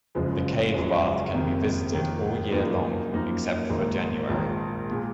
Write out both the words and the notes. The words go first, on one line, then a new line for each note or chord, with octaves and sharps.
The Cave Bath can be visited all year long, except for January.
F#1 F#2 C#3 F3 G#3
F#1 F#2 C#3 F3 G#3
F2 C3 D#3 A#3
F2 C3 D#3 A#3
F#2 F3 A#3 D#4
F#2 F3 A#3 D#4
A#1 G#2 D#3 A#3
A#1 G#2 D#3 A#3
A#2 G#3